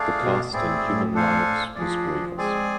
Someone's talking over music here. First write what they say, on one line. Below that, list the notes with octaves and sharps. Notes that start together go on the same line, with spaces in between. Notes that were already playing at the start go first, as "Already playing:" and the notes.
The cost in human lives was grievous.
Already playing: A3 D4 G#4 D5 F5
B2
A2 C4 E4 G#4 D5
A2
D4 A4 C5 F5 G#5
F3 D4 G#4 D5
G#3 C4 G#4 D5 G#5